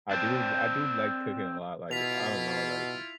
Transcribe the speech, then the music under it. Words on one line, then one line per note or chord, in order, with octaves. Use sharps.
I do I do like cooking a lot, like, I don't know, like, m
C4 D4
B2 E4 F4 B6 F7